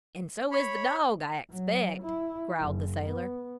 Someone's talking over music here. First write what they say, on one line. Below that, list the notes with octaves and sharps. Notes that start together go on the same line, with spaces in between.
"And so is the dog, I expect," growled the sailor.
C#5 B5
F#3
E4
F#1
B3